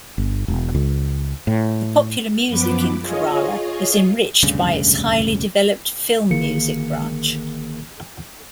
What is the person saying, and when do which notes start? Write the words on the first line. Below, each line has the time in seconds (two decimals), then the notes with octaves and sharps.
The popular music in Kerala is enriched by its highly developed film music branch.
0.18 G1
0.48 E1
0.75 C#2
1.47 A2
2.48 F#2 F3 B3 B4 D6
3.00 F4 G#4 C#5 D#5
4.43 E1 D2 G2 C#3
6.30 G1 D3 D#3 A#3 G#4 C#7